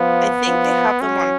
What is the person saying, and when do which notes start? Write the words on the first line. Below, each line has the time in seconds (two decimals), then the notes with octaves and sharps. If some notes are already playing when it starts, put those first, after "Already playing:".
I think they have them on
Already playing: F3 B3
0.47 F3
1.01 F#3 C#4